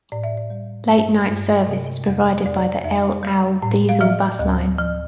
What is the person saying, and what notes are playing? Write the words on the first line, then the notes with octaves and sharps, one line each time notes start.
Late-night service is provided by the L Owl diesel bus line.
A2 D5
E5
D5
G3
G2
G2
C3
F2
F2 D5
F2 E5
G3
A2
F5
F3 E5
D2
F3